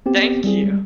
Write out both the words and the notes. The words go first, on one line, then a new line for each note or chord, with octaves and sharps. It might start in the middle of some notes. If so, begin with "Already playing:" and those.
Thank you.
B3 C4 G4
G3 C4 E4 G#4
G3 G#3